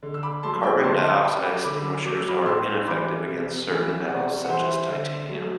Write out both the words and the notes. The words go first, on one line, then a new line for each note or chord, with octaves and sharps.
Carbon dioxide extinguishers are ineffective against certain metals such as titanium.
D3
E6
B5 D6
F#3 A3 A5 C6
G5 B5
D3 A5 C6
A5 C6
G3 G5 B5
B5 D6
D3 B5 D6
F#3 A3 D6
E6
B5 D6
A2 C6 E6
C6
E3 G3 B5 D6
C3
E3 A3
C3 D5 F#5
F#5
E3 G3 C5 E5
D3
F#3 A3